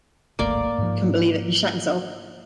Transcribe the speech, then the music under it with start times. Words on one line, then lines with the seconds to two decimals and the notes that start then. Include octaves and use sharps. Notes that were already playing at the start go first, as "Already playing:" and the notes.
I couldn't believe it, he shat himself!
0.39 D1 G#1 A3 A#3 D5
0.78 G#2 F3